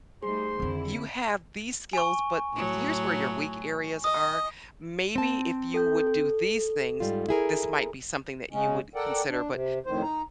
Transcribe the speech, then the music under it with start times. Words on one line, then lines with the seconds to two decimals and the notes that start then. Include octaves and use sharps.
you have these skills, but here's where your weak areas are, maybe if you would do these things, this might be something that you would consider. But
0.23 G3 A3 D#4 G#4 C5 C6
0.60 F2 D3 D#3 C4 E4
1.93 G#5 C#6
2.53 A2 F#3
4.04 D#5 D#6
5.16 C4 A5
5.74 A4 G5 G6
6.07 A4
7.00 G#2 G3 F4
7.29 E4 G#4 A#4
8.52 C#3 G#3 C#4
8.95 A4 A#4 D5 F#5 G5
9.29 D4
9.52 C3
9.86 F2 A2 D#3 C5
10.02 D#4 A#5